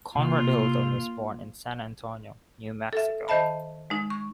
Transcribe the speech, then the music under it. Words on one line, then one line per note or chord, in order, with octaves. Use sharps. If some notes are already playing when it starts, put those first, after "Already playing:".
Conrad Hilton was born in San Antonio, New Mexico.
C3 A#3 F4
A4 E5
D#3 C5 D#5 E5 A5 B5
G#3 D#4
C#6